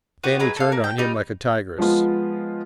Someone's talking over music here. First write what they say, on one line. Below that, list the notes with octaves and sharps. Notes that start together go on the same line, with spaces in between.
Fannie turned on him like a tigress.
B3 F#4 G4
F#3 G#3 B4
A4 F5
A#3
G5
G3 D#4
F3 G#3 B3 F4